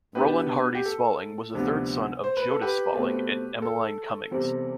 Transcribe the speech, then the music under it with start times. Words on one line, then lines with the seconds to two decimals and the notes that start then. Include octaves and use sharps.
Rolland Harty Spaulding was the third son of Jonas Spaulding and Emeline Cummings.
0.15 B2 B3 D4 G4 B4
0.75 G4
0.85 A4
1.55 D2 C3 F3 B3 D4
2.24 C5
2.37 B4
2.50 A4
2.62 G4 B4
2.93 B2 A3 C4
3.62 A4
4.31 E2 C3 G3 C4